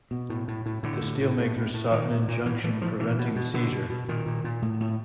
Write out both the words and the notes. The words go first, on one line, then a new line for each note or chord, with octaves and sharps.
The steelmakers sought an injunction preventing the seizure.
B2
A2
A2
A2
A2 D3
A2
A2
A2
A2
A2
A#2 D#3
A#2
A#2
A2 E3
A2 E3
A2 F3
B2 E3
B2
B2
B2 D3
B2
B2
A#2 D#3
A#2
A#2
A2
A2